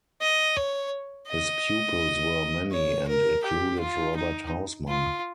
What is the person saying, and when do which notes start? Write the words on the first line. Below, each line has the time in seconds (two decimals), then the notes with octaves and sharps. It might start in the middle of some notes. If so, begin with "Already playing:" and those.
His pupils were many, and included Robert Hausmann.
0.22 D#5
0.57 C#5
1.28 D#5
2.72 C#5
3.08 A#4
3.43 G4
3.80 F4
4.16 D#4
4.88 F4